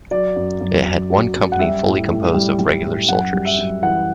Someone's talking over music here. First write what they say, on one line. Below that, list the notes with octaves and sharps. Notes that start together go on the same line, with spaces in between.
It had one company fully composed of regular soldiers.
F#3 D5
F#2
F#2
F#3
F#3
F#2
F#5
G3 E5
A2
A2
G3
G3
A2
F#2 F#5
G3
E5
F#2
E3 F#5